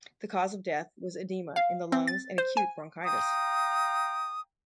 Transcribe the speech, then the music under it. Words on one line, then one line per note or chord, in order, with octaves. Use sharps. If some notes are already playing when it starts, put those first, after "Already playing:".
The cause of death was edema in the lungs and acute bronchitis.
F5
C4
A6
C5
G#5
F5 G5 A#5 D#6